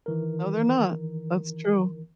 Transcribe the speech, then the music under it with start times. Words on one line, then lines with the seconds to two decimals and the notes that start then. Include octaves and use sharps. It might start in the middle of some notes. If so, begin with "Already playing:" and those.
No, they're not. That's true.
0.06 D#3 E3 A#4